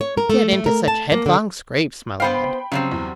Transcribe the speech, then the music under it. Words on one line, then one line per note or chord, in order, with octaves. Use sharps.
"You get into such headlong scrapes, my lad."
C#5
A#4
A3
A3
A#4
A5
A#3
D3
B3 C5 F5 G5 B5
C#3 F#3 G3 C4
E2